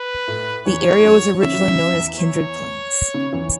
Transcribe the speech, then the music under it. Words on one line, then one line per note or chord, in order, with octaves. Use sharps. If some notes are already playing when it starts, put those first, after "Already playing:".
The area was originally known as Kindred Plains.
Already playing: B4
A2 A3
E2 E3 C#5
E3
F#2 F#3
C#3 E5
F#3
E3
C#3
E2 E3
C#5
C#3
E2 E3